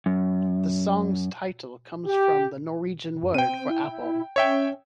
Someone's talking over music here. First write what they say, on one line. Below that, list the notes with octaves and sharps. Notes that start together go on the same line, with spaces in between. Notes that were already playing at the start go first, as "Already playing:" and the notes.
The song's title comes from the Norwegian word for apple.
F#2
G4
F#2
C4 G5 D#7
E4
C#4 C#5 E5 G5